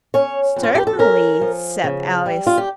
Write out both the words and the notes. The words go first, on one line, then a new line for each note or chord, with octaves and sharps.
'Certainly,' said Alice.
C#4 C#5
F2
F4
G4
A4
C#4 A#4
F3
C#3
G3
F4
G4